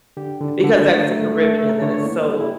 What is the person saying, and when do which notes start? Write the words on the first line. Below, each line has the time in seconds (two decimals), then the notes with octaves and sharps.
because that's the Caribbean, that it's so,
0.17 D3 G4
0.40 D3
0.64 D3
0.88 A3
1.02 A#4
1.12 A3 A4
1.35 A3
1.58 A3 A4
1.70 A#4
1.82 D3 C#5
1.94 C#5
2.06 A#3 E4
2.28 G3 G4
2.40 E4